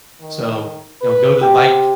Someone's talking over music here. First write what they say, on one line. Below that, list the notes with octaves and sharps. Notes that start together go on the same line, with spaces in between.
So, you know, go to the bike
D#3
B4
C3 G4 G5